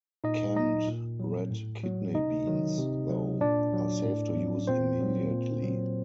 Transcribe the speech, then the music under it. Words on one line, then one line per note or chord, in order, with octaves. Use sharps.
Canned red kidney beans, though, are safe to use immediately.
A#2 D#4 D#5
F#3 D#4 D#5
A#2
F#3
A2
F#3
C3 D#4 D#5
D#3 F#3
C3
F#3
A#2 D4 D5
F#3
A2
F#3
A#2 C4 C5
F#3
A#2
F#3